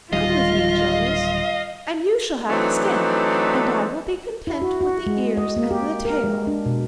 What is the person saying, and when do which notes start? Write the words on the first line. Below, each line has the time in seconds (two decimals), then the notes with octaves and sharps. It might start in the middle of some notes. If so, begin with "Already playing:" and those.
Come with me, Jonas, and you shall have the skin, and I will be content with the ears and the tail.'
0.13 D1 D#3 G3 F4 D#5 F5
2.48 E3 F#3 A3 C4 D4 D#4
4.47 E4
4.62 F#4
4.81 F#4
5.07 G#3
5.37 D#5
5.56 A#3
5.71 G4
6.05 A#4
6.24 G#3
6.47 D4
6.66 B2